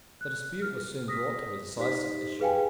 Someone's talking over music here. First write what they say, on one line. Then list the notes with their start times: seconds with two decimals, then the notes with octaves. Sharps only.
The dispute was soon brought to a decisive issue.
0.21 F#6
0.62 F6
1.08 D#6 A#6 B6
1.77 D#4 G4 C5 B6
2.40 G#4 B4 F5 G5 G#5